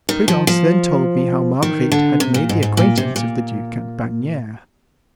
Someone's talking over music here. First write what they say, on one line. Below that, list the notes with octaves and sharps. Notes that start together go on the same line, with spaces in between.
Prudence then told me how Marguerite had made the acquaintance of the duke at Bagneres.
D#3
F3
F3
D#3
D3
C3
A#2
G#2
G#2
A#2
C3
A#2